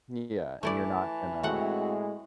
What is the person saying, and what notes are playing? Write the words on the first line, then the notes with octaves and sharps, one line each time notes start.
Yeah, and you're not gonna
E3 A3 E4 D5 A5
A2 G#3 A3 C4 F#4 F#5